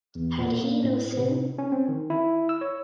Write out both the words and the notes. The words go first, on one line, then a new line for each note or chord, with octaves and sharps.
Had he no sin?
E2
A#2
A#3
A2
C3
C#4
C4
D#3
E4
E6
C#5